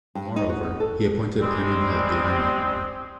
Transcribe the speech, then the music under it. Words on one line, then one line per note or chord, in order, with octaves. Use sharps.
Moreover, he appointed Amin head the army.
G2
D#4
F#4
B3
A4
G3 G#3 C4